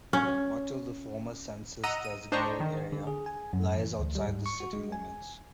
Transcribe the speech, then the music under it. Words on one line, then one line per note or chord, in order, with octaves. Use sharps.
Much of the former census-designated area lies outside the city limits.
C#4
D#5 F#5 A#5 E6 D#7
D#7
D4 C5 D#5 G5 A#5 C#6
D#3
D3
G#4
G#5
F#2
E3
D2
G3
G#2
C#6
F#4
G#3
G#5